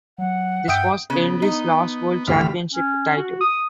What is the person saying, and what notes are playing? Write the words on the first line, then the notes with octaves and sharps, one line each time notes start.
This was Hendry's last World Championship title.
F#3 F#5
G2 E5 G5 D#6 D7
C#3 B3
D#4
A1 D2 D3 G4 B5 F6
C#4
F#4
D#6